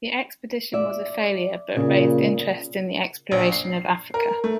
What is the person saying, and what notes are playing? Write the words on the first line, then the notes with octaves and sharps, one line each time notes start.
The expedition was a failure but raised interest in the exploration of Africa.
D5 E5
A#2 C#3
A#1
C7
A#4
A3